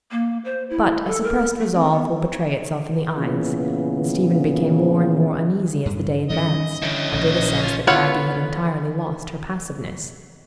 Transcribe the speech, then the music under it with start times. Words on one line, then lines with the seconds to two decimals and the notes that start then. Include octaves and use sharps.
But a suppressed resolve will betray itself in the eyes, and Stephen became more and more uneasy as the day advanced, under the sense that Maggie had entirely lost her passiveness.
0.11 A#3
0.45 C5
0.70 E4
1.06 A4
1.24 A#4
1.59 A3
1.74 C4
1.92 B3
3.15 A#2 C#3 E3 B3
5.86 G2
6.30 D#3 G3 C#4 D#5
6.82 D3 C#4 E4
7.12 A#1 A2
7.63 F4
7.87 B3 E4 F4 C#5 F#5